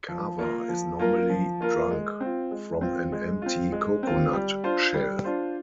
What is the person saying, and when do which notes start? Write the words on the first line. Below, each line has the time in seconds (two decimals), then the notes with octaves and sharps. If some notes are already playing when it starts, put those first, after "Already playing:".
Kava is normally drunk from an empty coconut shell.
0.08 F3
0.39 A#3 F4 A#4
0.69 F3
0.99 A#3 F4 A#4
1.30 F3
1.60 A#3 F4 A#4
1.91 G#3
2.20 C4 F4
2.51 G#3
2.81 C4 F4
3.12 G#3
3.42 C4 F4
3.72 G#3
4.03 C4 F4
4.33 G3
4.64 D4 F4 C5
4.94 G3
5.24 D4 F4 C5